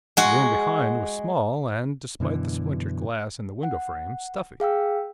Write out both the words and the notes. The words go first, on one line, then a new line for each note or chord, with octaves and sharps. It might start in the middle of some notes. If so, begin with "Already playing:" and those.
The room behind was small, and, despite the splintered glass in the window frame, stuffy.
G#3 F#4
F#2 B2 D3 E3
F#5
G#4 F5 G5 E6